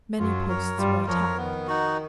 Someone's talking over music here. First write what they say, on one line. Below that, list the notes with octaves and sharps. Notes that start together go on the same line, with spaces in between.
Many posts were attacked.
F#2 F#3 F4
A#4 C#5
G2 G3 F4
F2 F3 A#4 C#5
D#3 B3
D#4 F#4